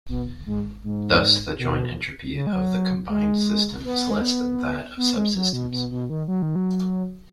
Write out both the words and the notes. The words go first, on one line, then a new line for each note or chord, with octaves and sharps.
Thus the joint entropy of the combined system is less than that of subsystems.
B2
G#2
G#2
B2
C#3
G#3
F#3
G#3
B3
G#3
B3
B3
G#3
F#3
B2
B2
B2
D#3
F#3
D#3
F#3